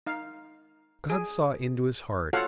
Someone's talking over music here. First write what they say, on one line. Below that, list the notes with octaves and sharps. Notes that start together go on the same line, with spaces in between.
God saw into his heart.
D#4 F5
G#4
F4 F#4 A4 C#5 F5 F#5